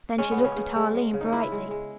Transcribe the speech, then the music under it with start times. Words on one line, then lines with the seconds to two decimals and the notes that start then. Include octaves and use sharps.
Then she looked at Arline brightly.
0.18 G#3 C#4
0.31 B3
0.37 C#3
0.44 C#4
0.56 C#3
0.75 G#3
0.94 G#3
1.14 C#3
1.21 D#4
1.33 C#3 E4
1.52 G#3
1.71 G#3